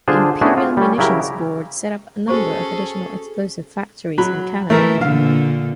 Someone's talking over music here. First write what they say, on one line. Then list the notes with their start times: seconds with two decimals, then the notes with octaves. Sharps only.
The Imperial Munitions Board set up a number of additional explosives factories in Canada.
0.08 D3 D4 F4 G#4 C5
0.41 A3 B3 D4 E4 F#4 G#4
0.57 F4
0.77 G3 C#4
0.98 C#3 F#3 E4 G4 A#4
2.28 C#4 F#4 G#4 A4 C5 C#6
4.18 F#3 B5
4.70 E3 A3 A#4
5.01 A#2 D3 F5